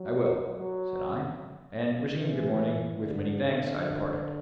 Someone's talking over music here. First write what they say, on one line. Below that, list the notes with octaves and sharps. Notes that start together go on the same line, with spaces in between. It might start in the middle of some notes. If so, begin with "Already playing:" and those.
"I will," said I, and wishing him good morning, with many thanks, I departed.
Already playing: F#3
F#3
E3
D3